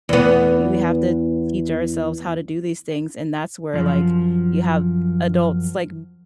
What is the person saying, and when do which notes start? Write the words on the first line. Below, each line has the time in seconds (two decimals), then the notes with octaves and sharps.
we have to teach ourselves how to do these things, and that's where, like, you have adults like
0.09 E2 B3
3.74 F#2 F3